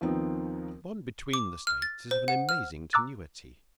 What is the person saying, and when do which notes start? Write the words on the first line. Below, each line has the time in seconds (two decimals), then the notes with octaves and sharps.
The bond between the States is of an amazing tenuity.
0.01 D#2 D#3 F3 B3 C4 D#4
1.33 D6
1.67 F6
1.82 A6
2.11 C5
2.28 F#5
2.49 F6
2.93 A#5 D6 E6 F#6 A6